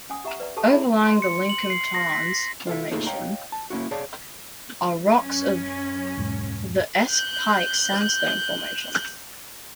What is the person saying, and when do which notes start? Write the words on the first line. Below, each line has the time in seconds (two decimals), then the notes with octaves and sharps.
Overlying the Lincomb Tarns Formation are rocks of the Esk Pike Sandstone Formation.
0.10 C#4 F#5 G#5 D#6
0.25 G4 E5 F#5 A#5
0.40 B4 D5 F#5 A#5
0.57 G4 A4 F#5 A5 D#6
0.71 E4 G#4 C#5 D5 E5 B5
1.06 C6
1.22 C#7
1.50 F#7
1.70 C7
1.95 A#6
2.12 B6
2.67 F4 A4 E5
2.91 A3 A#3 D#4 F4 G#4 A4
3.07 C#5 D#5 F5 G5 A#5
3.52 A5
3.70 A#3 C#4 E4 F#4
3.91 G#4 C#5 D5 F5 A5
5.17 F#2 C#4
6.17 E1 G#2
7.07 F#6 G6